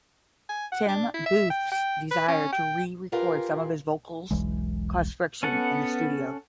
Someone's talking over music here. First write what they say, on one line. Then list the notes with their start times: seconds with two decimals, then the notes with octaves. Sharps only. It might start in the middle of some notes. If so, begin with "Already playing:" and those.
Tim Booth's desire to re-record some of his vocals caused friction in the studio.
0.49 G#5
0.72 F#5
0.88 D4
1.14 E4
1.26 E5
1.50 G5
1.72 G5
2.11 B4
2.28 C#4
2.53 G5
3.12 F4 G4 G#4 A#4 B4 F5
4.31 E1 B1 E3 G#3
5.43 B3 C#4 A4 F#5